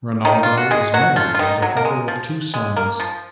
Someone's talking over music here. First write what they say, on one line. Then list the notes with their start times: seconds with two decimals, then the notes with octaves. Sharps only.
Ronaldo is married and a father of two sons.
0.25 D#3 D#4
0.43 F4
0.58 F#4
0.71 G#3 G#4
0.94 F#3 F#4
1.16 F3 F4
1.35 F4
1.39 D#3 D#4
1.62 F#3
1.77 A#3
1.85 G#3
2.08 F3
2.54 G#3
2.77 A#3
3.00 F3